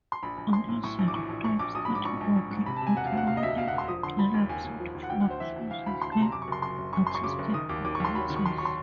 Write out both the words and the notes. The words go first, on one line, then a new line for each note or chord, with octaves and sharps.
Alison Frame started working at Looney Labs with Fluxx using her artistic abilities.
C6
A#1 B5
A#1
A#1 C6
A2
A2 C#6
A#1
D6
E3 C#6
A#1
A#1 C#6
A#1 D6
A#1 D#6
B5
G#2
D6
A#1 C#6
A#1
A#1
G#2
C3 B5
A5
C3
G#5
E1 F#5
F5
D2 F#5
C3 F5
D#5
D2 E5
D2 F5
F#5
E1
C6
F3 D#6
D3 C6
F3 B5
D#2
D#2 G#5
D#2
F3
D#2
F#5
D2 G5
F#5
D2
C5
E3 E5
D2
E3 F5
D2 B5
D2 C6
A5
C3
A#5
F#2 D6
C#6
F#1 C6
F#2 C6
F#1
F#2 C#6
F#2 C6
C#6
C#3 D6
F#1
D#3 D#6
D#2 D6
D#2 D6
C#6
D#2 C6
F#3 B5
D#3
C#6
D#3 C6
F#3 C#6
C6